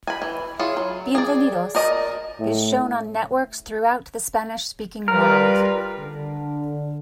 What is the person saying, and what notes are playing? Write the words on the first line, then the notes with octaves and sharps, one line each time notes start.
"Bienvenidos" is shown on networks throughout the Spanish-speaking world.
G#5 B5
E3
E4 F4 G#4 C#5
F#3
G#4 D5
A#4 D5 D#5 A5
A2
G3 F4 A#4 B4 F6
D3